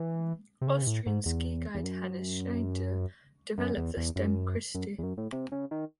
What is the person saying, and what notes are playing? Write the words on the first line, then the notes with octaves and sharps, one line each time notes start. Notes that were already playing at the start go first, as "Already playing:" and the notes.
Austrian ski guide Hannes Schneider developed the stem christie.
Already playing: E3
C3
C#3
C3
A2
G#2
E2
E2
F#2
F#2
E2
E2
F#2
F#2
E2
F#2
A2
C3
C#3
D#3